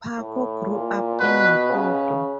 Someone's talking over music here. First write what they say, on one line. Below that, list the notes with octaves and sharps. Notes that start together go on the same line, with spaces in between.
Paco grew up in Maputo.
A2
A#2
B2 B4
C#3